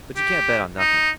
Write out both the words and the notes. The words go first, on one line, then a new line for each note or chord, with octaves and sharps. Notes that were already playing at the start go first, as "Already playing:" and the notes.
But you can't bet on nothing.
G4
D#4